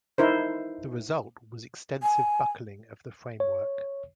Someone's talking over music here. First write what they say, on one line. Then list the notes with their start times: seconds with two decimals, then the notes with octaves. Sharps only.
The result was extensive buckling of the framework.
0.18 D#4 E4 A#4 C5
2.03 G#5
3.40 C#5